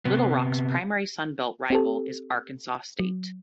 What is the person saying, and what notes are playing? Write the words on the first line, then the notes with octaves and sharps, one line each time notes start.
Little Rock's primary Sun Belt rival is Arkansas State.
C3 B3
C4 G4 A4
F#3